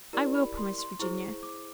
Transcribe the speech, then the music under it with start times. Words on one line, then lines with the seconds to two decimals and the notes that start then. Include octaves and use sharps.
"I will," promised Virginia.
0.13 E4 G4 A#4 D5
0.35 B5
0.57 C6
0.78 C6
0.99 E4 G#4 C5 C#6
1.43 D6